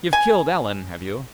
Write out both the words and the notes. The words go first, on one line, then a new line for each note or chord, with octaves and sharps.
You've killed Alan, have you?
G#5